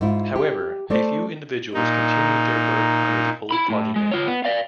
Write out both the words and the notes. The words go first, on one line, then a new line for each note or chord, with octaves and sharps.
However, a few individuals continued their work under the old party name.
G#2 E4 F4
G4
A3 A4 C5 D5
A#2 D#4
E4 B5
A2
G#3
F4 C#5
B3
D5 F5